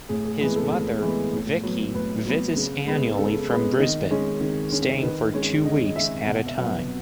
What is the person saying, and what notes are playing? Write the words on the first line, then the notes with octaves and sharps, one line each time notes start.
His mother, Vicki, visits annually from Brisbane, staying for two weeks at a time.
A2 G#4
G#4
E3 G#3 B3 G#4
A4
A2
E3 G#3 B3
A2
F#3 B3
A2 B4
F#3 B3
C#3
G#3 B3
C#3 A4
G#3 B3 B4
D#3 D#5
G#3 C#4
D#3
G#3 C#4
D#3 B4
G#3 C#4 C#5
D#3 D#5
D#5
G#3 C#4 E5
B2 F#5
E5
F#3 B3 F#5